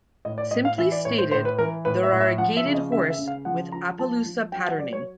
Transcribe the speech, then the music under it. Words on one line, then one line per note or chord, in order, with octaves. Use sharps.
Simply stated, they are a gaited horse with Appaloosa patterning.
A2 D#5
D5
A2 D#5
F5
E3 E5
D5
A2 C#5
C5
A2 C5
B4
E3 A#4
A2 B4
E5
A2
E5
F3 F#5
E5
C#3
D#5
C#3 E5
E5
C#3
F5
F3 F#5
F3 A#5
F3 A5
F3
F#3 G5
F#5
F#3 D5
C#5